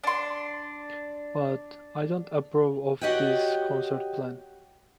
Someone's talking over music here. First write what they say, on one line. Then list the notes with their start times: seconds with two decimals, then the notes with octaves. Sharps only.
But I don’t approve of this concert plan.
0.04 D4 C6
3.01 F#4 G4 C#5 D#5 F#5 G5